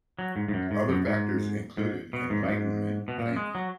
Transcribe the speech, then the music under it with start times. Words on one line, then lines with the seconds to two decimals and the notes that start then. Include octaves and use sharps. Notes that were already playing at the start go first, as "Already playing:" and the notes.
Other factors included Enlightenment thinking.
0.19 F#3
0.36 G#2
0.48 G#2
0.54 F#2
0.71 G#2
0.89 F#2
1.07 G#2
1.77 G#2
2.13 B2
2.30 G#2
2.43 F#2
2.48 G#2
3.08 B2
3.19 A#2
3.36 G#3
3.55 F#3